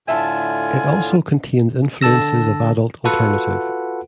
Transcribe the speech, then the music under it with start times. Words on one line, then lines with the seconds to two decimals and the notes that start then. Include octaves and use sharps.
It also contains influences of adult alternative.
0.08 A2 D3 F4 E5 G#5 A5
2.01 D3 A4 A5 E6 A#6
3.04 F4 F#4 A4 B4 F#5